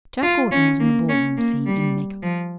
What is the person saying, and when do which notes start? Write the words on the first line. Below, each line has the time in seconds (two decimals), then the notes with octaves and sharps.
Jack Gordon was in the ballroom scene in make-up.
0.22 F4
0.51 C#4
0.80 A#3
1.09 C#4
1.37 A#3
1.66 G3
2.23 F3